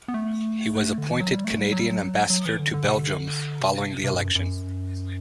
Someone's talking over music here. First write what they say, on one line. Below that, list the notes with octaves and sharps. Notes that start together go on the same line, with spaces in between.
He was appointed Canadian Ambassador to Belgium following the election.
B3
A3
D3
E3
F#3
G3
A3
G3
F#3
G3
F#3
F#3
E3
D3
D3
C3
D3
C3
C3
G2
F#2
F#2